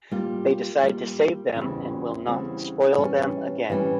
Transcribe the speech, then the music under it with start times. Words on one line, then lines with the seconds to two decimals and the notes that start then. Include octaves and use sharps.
They decide to save them and will not spoil them again.
0.11 G3 A#3 F4
0.83 G3 A#3 F4
1.55 E2 C#3 G3 C4 E4
2.27 E2 C#3 G3 C4 E4
2.97 E3 G3 C#4
3.70 E3 G3 C#4